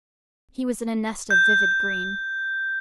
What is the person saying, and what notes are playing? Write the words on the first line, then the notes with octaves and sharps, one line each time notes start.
He was in a nest of vivid green.
G6